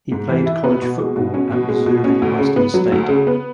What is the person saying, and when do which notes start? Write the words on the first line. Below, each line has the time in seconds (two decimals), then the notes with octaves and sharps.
He played college football at Missouri Western State.
0.12 G#2
0.29 E3
0.46 E4
0.64 B3
0.82 B2
0.99 G#3
1.16 B2
1.34 C#4
1.52 B2
1.69 G#3
1.86 B2
2.04 C#4
2.22 D2
2.39 C#3
2.56 B3
2.74 F#3
2.92 D2
3.08 C#3
3.27 B3